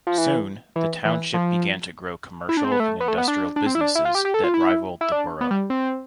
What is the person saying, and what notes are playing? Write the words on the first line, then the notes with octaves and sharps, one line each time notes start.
Soon, the Township began to grow commercial and industrial businesses that rivalled the Borough.
F3
E3
E3
E3
F3
E4
D4
C4
B3
A3
B3
A3
B3
D4
D4
C4
E4
D4
E4
F4
G4
G4
A4
F4
E4
E4
D4
B3
G3
C4